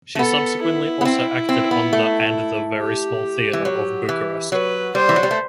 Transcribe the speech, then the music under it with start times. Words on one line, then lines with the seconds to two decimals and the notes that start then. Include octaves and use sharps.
She subsequently also acted on the and the Very Small Theatre of Bucharest.
0.15 A3
0.19 B3 A4
0.63 E4
1.01 B3
1.05 C4
1.49 C4
1.71 B3
1.93 A3
2.79 G4
3.53 E3
3.65 F#3
4.09 E3
4.52 F#3 B4
4.95 G3 C5
5.09 E3
5.16 F#3
5.23 G3
5.31 A3